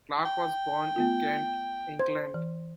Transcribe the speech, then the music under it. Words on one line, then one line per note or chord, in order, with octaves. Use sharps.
Clarke was born in Kent, England.
G5
A3 B3 F4
C5 G#6
E3